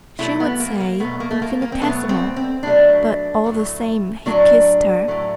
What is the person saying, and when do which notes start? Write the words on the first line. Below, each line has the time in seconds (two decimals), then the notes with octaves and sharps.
"She would say 'infinitesimal.' But all the same he kissed her."
0.19 B2 F#3 A3 E4
0.40 B3
0.60 A#3
0.81 A#3
1.00 B2 F#3 A3 B3
1.20 A#3
1.31 A3
1.42 A#3
1.62 A#3
1.72 C4
1.81 B2 F#3 A3 B3
2.09 C4
2.37 C4
2.63 B2 F#3 A3 D4
3.45 A2 F#3 A3
4.26 A2 F#3 A3 D4
5.08 A2 F#3 A3